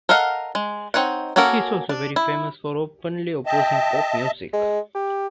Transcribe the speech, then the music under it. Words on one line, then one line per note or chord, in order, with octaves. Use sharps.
He is also very famous for openly opposing pop music.
A4 A#4 D#5 F5 F#5
G#3
C4 D#4 C#5 F#5
A#3 C#4 F#4 A4 A#4
D4
E4
D#5 E5 G5 A5
G#3
G4